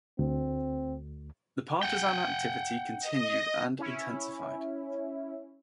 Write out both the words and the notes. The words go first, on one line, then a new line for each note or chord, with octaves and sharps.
The partisan activity continued and intensified.
D2 C4
F#5 G5
D#5
C#4 E4